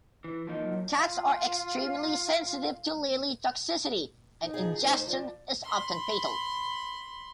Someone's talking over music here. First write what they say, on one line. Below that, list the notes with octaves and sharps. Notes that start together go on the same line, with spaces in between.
Cats are extremely sensitive to lilly toxicity and ingestion is often fatal.
E3
F3 A#3 D#4
F#3
F4 F5
D#4
F3 G#4
A2 D#4 C5
F3 D5
B5 C6